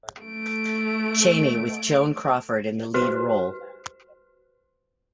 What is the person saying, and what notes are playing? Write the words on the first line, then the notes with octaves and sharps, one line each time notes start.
Cheyney with Joan Crawford in the lead role.
A3 D7
F#4 B4 C5